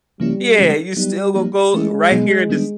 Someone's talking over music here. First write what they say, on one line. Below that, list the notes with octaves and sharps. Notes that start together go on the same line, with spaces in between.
Yeah, you still gone go right here in this"
C#3 F3 G3 A#3 C#4 E4
C#3 E3 G#3 C#4
F#3 G3 B3 D#4
F3 A#3 D#4
E3 G#3 A3 C#4 E4
B2 F#3 B3 D#4
D#3 G3 B3 D4